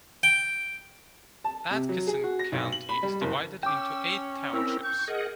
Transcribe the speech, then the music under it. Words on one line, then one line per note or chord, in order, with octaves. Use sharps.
Atchison County is divided into eight townships.
G5
A5
C3
F#3
G#4
F#4
A#6
B1
F#7
B5
G3
F#1
C#4 G5 D6 E6
C4 E4 A#4 E6
C#6 G6
G#4 A#4 D#5 F#5